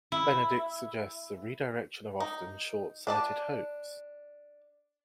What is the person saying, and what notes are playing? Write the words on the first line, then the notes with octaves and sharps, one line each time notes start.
Benedict suggests a redirection of often short-sighted hopes.
E4
D#4
D4 D5 A5